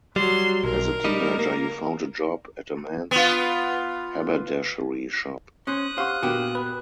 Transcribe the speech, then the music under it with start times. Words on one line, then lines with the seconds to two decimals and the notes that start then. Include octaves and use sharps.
As a teenager he found a job at a men's haberdashery shop.
0.16 F#3 G3 C6
0.64 B1 A#4
1.04 G3 D#4
1.39 A#3
3.11 B3 F4
5.67 C#4 C5 D#6 F#6
5.98 G4 C5 F5 F#5 C#6
6.23 A#2 B3 F#4 G4
6.55 B4